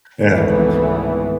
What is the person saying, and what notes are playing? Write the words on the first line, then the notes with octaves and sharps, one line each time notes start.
it happened.
G#1 C#2 E3 A3 B3